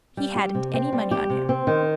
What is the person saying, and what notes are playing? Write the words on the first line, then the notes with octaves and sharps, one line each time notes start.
He hadn't any money on him.
G3
G4
C3
C4
G3
G4
C3
C4
D#3